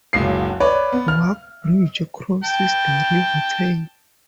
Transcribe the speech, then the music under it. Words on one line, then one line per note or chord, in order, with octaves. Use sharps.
Wark Bridge crosses the River Tyne.
F#1 C#2 F#3 C7
B4 C#5 D5
B3
F6
G5 A5